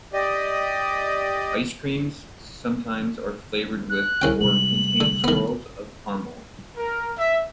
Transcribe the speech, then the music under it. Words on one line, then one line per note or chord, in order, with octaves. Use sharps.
Ice creams sometimes are flavored with or contain swirls of caramel.
G4 D5 D#5
F#6
C2 C#4 G5
C3 G3 G#3 F#7
D3
D#3 B3
A#4
E5